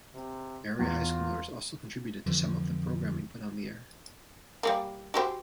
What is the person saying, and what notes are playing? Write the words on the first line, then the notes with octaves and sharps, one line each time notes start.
Area high schoolers also contributed to some of the programming put on the air.
C3
E2 F4
F2 D3 E3 F3
G3 A3 A#3
F#4 G4 C5